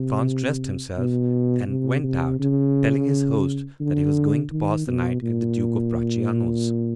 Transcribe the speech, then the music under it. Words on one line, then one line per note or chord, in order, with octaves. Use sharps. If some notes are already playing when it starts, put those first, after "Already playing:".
Franz dressed himself, and went out, telling his host that he was going to pass the night at the Duke of Bracciano's.
Already playing: C3
B2
C3
C3
C#3
D3
D#3
B2
A#2